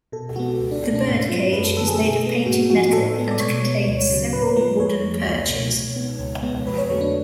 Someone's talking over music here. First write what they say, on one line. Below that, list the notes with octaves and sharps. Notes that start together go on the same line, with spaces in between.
The birdcage is made of painted metal and contains several wooden perches.
B2 A4
G#3 B3 F#4
C#2
D4
B2 A3 C#4
D4
G#2 C#4
F#3 B3 F4
F#2 B4
A4
D3 F#3 A4
G#4
B2 A4
G#4
G#3 B3
G#2 F#4
F3 B3 F#4
A2 A4
G#3 B3
D5
B2 C#5
G#3 B3
D2
C#3 F#3
A2 B4
F3 G#3 B3 B4
F2 C#5
F3 A3
C#2
B2 A3
B2
G#3 B3
C#2
B2 G#3 B3
F2 B4
C#5
D3 F#3 A3 C#5
D4